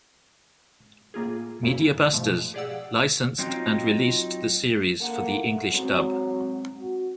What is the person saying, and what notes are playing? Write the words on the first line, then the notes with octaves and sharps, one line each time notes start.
Media Busters licensed and released the series for the English dub.
A2 A#3 F4 G#4
F#2 C#3 A#3 E4
G#2 B2 F3 A3
G4 G#4 D5 F5 F#5 E6
F#3 C4 D#4 F4 G5
A#3 A4 F#5
E4
F#3 G#3 C4
F#4